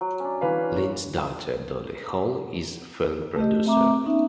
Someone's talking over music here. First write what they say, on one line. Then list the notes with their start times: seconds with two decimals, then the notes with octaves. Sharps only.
Lynn's daughter Dolly Hall is a film producer.
0.01 F#3
0.20 C#4 D4
0.41 E3 B4 F5
0.78 C#5
3.36 A3 G4 D#5
3.65 A3 C4 E5 A#5 D6
4.04 B3 C#4 D#4 E5